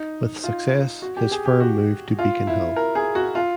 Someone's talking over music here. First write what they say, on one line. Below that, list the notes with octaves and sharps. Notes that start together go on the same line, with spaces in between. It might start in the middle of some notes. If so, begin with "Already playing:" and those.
With success, his firm moved to Beacon Hill.
Already playing: D#4
F4
F#4
G4
G#4
G4
F#4
F4
E4
A#4
G#4
F#4
F4